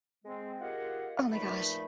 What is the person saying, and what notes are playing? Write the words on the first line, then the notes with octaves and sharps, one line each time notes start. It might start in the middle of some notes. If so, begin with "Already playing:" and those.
Oh my gosh.
G#3 C4
D#4 F4 G4 G#4 A#4 F#5
E2 A#2 F3 A3 D#4 B5